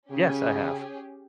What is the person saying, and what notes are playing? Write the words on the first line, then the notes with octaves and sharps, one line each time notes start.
Yes, I have.
C#3 C#4 G4 G#4